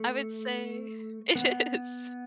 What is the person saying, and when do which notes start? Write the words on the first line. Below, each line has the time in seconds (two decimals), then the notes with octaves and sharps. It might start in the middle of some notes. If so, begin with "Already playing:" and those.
I would say it is
Already playing: A3
1.35 B3